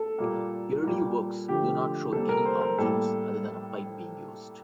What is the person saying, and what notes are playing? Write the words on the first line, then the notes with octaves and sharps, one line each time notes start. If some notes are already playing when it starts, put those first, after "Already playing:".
Early works do not show any objects other than a pipe being used.
Already playing: A4
A#2 G3 A#3
A#2 G3 A#3
D3 F3 A3 G4
C3 G3 A#3 A4
A#4
C5
A#4
A2 G3 A#3 A4